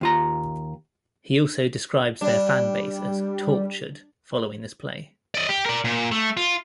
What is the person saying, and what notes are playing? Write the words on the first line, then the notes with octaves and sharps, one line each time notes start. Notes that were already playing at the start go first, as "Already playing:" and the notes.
He also describes their fan base as "tortured" following this play.
D#2 F4 A#5
G3 D4
D5 D#5
G4
A#4 D5
A#2
A3
F4